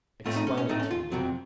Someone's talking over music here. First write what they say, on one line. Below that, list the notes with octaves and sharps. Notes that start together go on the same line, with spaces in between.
"Explain it to me."
A2 A3 C4 F4
D#4
C#4
C#4
A2 A3 C4 D#4
C#4
F4
F2 C3 F#3 C4